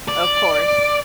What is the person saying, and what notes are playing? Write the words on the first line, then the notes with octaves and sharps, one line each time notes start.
Of course.
D5